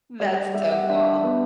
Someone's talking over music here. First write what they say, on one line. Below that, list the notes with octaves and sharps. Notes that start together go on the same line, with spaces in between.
That's so cool.
G3 D5
D5
G3 E5
F#5
D4 E5
B3